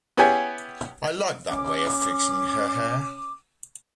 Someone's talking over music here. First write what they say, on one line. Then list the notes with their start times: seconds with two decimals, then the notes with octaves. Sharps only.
I like that way of fixing her hair.
0.17 B3 C#4 E4 G4 G#4 G#5
1.49 C#4 D6